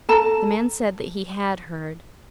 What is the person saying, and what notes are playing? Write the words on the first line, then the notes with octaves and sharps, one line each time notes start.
The man said that he had heard.
A4 A5 A#5